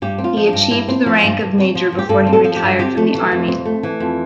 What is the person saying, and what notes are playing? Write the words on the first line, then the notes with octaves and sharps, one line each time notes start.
He achieved the rank of major before he retired from the army.
G2 G4
C4
F4
F3
D4
G2
G2 E4
C4
F3
G2
G2
C4
F3
G2
G4
G2 A4
C4
A4
F3
G4
G2
C4 G4
A3
E3
F2
C4
A3
E3
F2